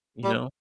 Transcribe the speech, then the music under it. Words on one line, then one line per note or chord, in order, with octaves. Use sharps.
you know?
G3